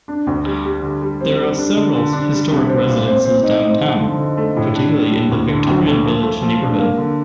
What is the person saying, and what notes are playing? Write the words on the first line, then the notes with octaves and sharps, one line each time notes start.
There are several historic residences downtown, particularly in the Victorian Village neighborhood.
D4
D2
G3
G3
D3
G3
C4
G3
D4
D3
D3
D4
G3
C2
C4
A#2
C4
C4
D#4
C4
F3
D3
D3
A3
A2
D4
G3
A2
D2
D3
D2
A3
F3
A3
F3
D4
A#3
D3